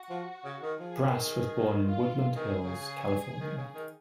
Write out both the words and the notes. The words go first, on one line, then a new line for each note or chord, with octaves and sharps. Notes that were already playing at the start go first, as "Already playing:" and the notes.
Brass was born in Woodland Hills, California.
Already playing: F#4
F3
C#3
D#3
F3 G#4
D#3
F4
D#3 G#4
C#3
D#3
C#3
D#3